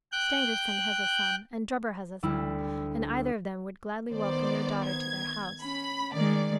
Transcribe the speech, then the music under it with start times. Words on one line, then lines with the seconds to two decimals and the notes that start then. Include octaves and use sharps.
Stangerson has a son, and Drebber has a son, and either of them would gladly welcome your daughter to their house.
0.12 G5 F#6 G6
2.23 D2 G3 E4
4.13 D#3 B3 C5 D5
4.87 G#6
5.62 C#4 B5
6.14 D#3 G#3 D5